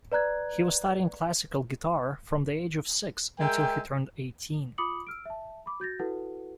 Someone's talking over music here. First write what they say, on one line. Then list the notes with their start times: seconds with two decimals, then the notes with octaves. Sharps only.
He was studying classical guitar from the age of six until he turned eighteen.
0.12 B4 D5 A#5 F#6 G#6
3.39 G#3 A#4 E5 G5
4.78 F4 B5 D6 D#6 C#7 F#7
5.07 E6 F6 D7
5.26 E5 A5
5.66 B5 D6
5.80 F#4 G6 A6 A#6
5.99 E4 F#4 A4 B4 F#5